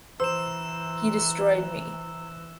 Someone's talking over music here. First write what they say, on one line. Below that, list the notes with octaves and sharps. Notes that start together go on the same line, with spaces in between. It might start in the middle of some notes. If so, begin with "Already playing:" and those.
He destroyed me.
E3 C5 A#5 E6 E7